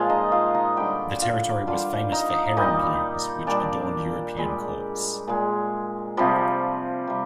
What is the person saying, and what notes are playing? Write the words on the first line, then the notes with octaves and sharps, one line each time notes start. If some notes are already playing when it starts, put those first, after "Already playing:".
The territory was famous for heron plumes, which adorned European courts.
Already playing: A#2 F3 G#3 F4 F5
D#4 D#5
F4 F5
D#4 D#5
D3 G3 G4 G5
F4 F5
D3 G3 F4 F5
D#4 D#5
A#2 G3 D#4 D#5
A#2 G3 D4 D5
A#2 G3 G#3 G4
A#2 G#3
C3 F3 G3 F4
C3 G3